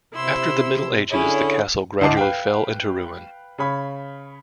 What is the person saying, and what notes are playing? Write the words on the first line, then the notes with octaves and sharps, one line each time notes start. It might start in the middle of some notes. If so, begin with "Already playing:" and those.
After the Middle Ages, the castle gradually fell into ruin.
C3 E4 C6 E6
D3 C#4 E4 G#4 C#5
D2 A2 D#5 A5 D6 C7
B4 F5 G5
C#3 C#5 B5